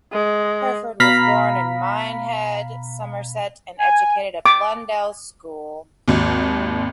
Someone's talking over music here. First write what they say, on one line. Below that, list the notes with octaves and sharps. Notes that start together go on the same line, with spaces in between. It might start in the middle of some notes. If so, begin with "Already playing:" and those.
Hurford was born in Minehead, Somerset, and educated at Blundell's School.
G#3
B2 F5 A#5 B5 B6
G#5
D6
G#1 D#2